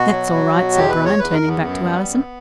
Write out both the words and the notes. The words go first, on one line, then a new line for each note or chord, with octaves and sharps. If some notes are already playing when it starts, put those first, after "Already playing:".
"That's all right," said Bryan, turning back to Allison.
Already playing: B2 F#4
F#3
F#3
B2
E2 G4
B4
E2
C#5
E2 B4
A#4
E2
B3
F#2 B3
G3
F#2